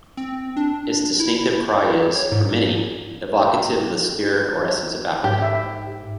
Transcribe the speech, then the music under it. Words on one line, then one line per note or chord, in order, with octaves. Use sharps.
Its distinctive cry is, for many, evocative of the spirit or essence of Africa.
C4
D4
E4
C#5
G#2
G#2 G4
E5